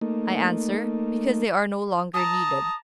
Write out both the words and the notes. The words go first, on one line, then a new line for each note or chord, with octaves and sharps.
I answer: Because they are no longer needed.
A3 A#3 D#4
A5 A#5 D#6